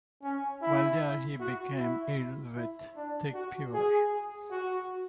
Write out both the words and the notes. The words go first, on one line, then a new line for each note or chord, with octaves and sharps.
While there, he became ill with tick fever.
C#4
E4
F#4
E4
E4
D4
F#4
G#4
F#4